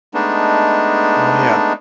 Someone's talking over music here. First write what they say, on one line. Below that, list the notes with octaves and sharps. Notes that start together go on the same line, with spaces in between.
Well, yeah.
G#3 A3 B3 D4 D#4